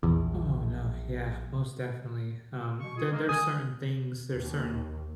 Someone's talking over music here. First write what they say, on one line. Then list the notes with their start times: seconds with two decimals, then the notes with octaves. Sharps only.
Oh, no. Yeah, most definitely. Um, there there's certain things there's certain
0.03 A#1 E2
2.81 B2 C#6
2.97 F4 G#4
3.12 G#3 A#3
3.29 G#5 D#6
4.34 D#2